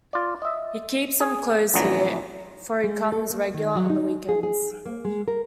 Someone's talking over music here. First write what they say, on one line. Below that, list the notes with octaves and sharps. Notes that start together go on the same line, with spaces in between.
He keeps some clothes here, for he comes regular on the week-ends.
F4 D5
D#5 E5
G#4
A1 F2 D3 E3 F#3 A#5
G#3
A4
A#3
D#3
F#3
D#4
G#4
G#4
A#3
G#3
A#4